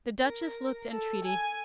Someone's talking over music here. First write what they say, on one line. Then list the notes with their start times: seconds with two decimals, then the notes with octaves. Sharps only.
The Duchess looked entreaty.
0.22 A#4
0.89 A4
1.25 G#5